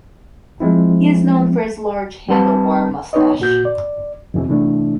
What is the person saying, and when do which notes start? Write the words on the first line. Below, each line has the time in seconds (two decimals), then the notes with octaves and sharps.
He is known for his large handlebar moustache.
0.60 F3 G#3 C4 E4
2.29 G3 C4 B4 A5
3.13 B3 D#4 B4 C#5 D#5
3.40 A#2 F#4 G6
3.65 D5
4.34 E2 B2 E3 C4
4.48 C3 E3 A3 D4 E4